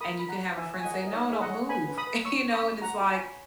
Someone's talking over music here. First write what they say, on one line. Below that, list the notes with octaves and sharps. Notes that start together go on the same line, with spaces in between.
and you can have a friend say, "No, don't move." You know, it's like,
A#4 B5 D#6
A#4 B5
F#5 A#5
C#5
E4 E5 G#5
C#5
G#5
D#5 F#5
A#4
D#5
D#4 C#5 E5
G#4 E5
D#5 F#5
C#5
B4 G#5 B5
B4
B5 D#6
B4
C#5 C#6 E6
C#4
B5 D#6
C#4
F#4 F#5 A#5
F#4
G#5 B5
C#5